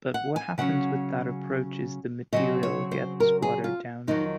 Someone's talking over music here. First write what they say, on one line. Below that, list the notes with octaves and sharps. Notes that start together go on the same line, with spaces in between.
But what happens with that approach is the material gets watered down.
F#5
G#5
C#3 F#3 C#4 F#5
C#3 F#3 C4 D#5
C#5
C5
A#4
G#4
F4
F2 D#3 F#3 D#4